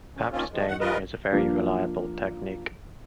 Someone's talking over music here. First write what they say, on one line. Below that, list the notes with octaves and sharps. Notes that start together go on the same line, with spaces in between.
Pap staining is a very reliable technique.
C#4
D#3 F3 A#3 C4 C#4 F4
D#3 F3 G#3
D#3 F#5
E3 G3 F4 A#4 B4 D#5
F3 A#3 D4